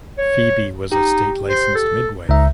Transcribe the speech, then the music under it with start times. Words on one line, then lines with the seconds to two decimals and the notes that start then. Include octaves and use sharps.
Phoebe was a state-licensed midwife.
0.18 C#5
0.92 D#4 G4
1.49 C5
1.75 A4
2.29 C#2 D#4 E5